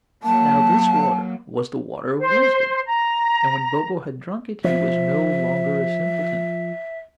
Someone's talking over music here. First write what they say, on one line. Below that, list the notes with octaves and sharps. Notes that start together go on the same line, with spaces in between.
Now this water was the water of wisdom, and when Bobo had drunk it, he was no longer a simpleton.
F#3 A#3 A5
C5
A#5
F3 E5